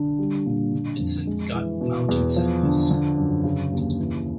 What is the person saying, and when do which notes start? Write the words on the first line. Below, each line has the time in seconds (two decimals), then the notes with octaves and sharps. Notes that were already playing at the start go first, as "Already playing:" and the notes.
Vincent got mountain sickness.
Already playing: D3
0.19 G3
0.46 A#2
0.74 D3
1.00 F2
1.27 G#3
1.54 E3
1.81 B2
2.08 E2
2.36 F3
2.63 D3
2.91 D3
3.17 F#2
3.44 C#3
3.72 D#2
3.99 E3